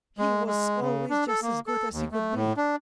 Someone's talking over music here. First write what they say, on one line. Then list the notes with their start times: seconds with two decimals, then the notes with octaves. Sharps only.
"He was always just as good as he could be!"
0.18 G#3
0.47 G#3
0.81 C#3
1.10 D4
1.28 A4
1.42 A#3
1.67 A4
1.92 D#2
2.12 A3
2.35 A2
2.57 D4